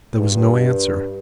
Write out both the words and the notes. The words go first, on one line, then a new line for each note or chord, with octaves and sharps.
There was no answer.
G2